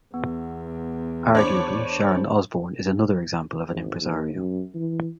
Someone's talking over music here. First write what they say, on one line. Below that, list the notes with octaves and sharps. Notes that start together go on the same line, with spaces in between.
Arguably, Sharon Osborne is another example of an impresario.
E2 B3
D4 C5 C#5 B5 D6
G#1
D#2
F#2
E3